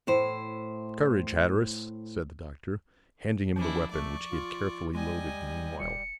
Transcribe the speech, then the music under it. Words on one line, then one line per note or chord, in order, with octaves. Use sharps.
"Courage, Hatteras!" said the Doctor, handing him the weapon, which he had carefully loaded meanwhile.
A2 E4 C5
F3 C#4 D4 E4
A3 D5 C#6
F4
G3 G#3 D#5 G#5
D#1 C#7